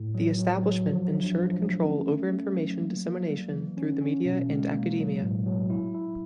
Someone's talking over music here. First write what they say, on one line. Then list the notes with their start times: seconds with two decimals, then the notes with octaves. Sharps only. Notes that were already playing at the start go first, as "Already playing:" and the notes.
The Establishment ensured control over information dissemination through the media and academia.
Already playing: A2
0.15 F#3
0.39 F#3
0.63 F#3
0.87 F3
1.12 D4
1.36 F3
1.60 A3
1.84 C#4
2.08 A3
2.33 A3
2.57 F#3
2.81 A#3
3.05 A#3
3.29 G3
3.53 E3
3.77 C#4
4.01 C#4
4.25 B2
4.50 G#3
4.74 A#3
4.98 F#3
5.22 A2
5.46 F#3
5.70 E4
5.95 E4